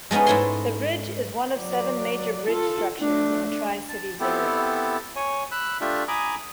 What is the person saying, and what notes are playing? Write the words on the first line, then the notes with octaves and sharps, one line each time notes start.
The bridge is one of seven major bridge structures in the Tri-Cities area.
G#3 A3 B3 C#4 D#4
G#2 A3 E4 C#5 G#5 C6
F#3 D5
F4 A4
A3 D4
A5
B3 C4 E4 G4 A4
C#5 G#5
B5 E6 F#6
A3 D4 F4 G4 E5
G#5 A#5 B5 D6 D#6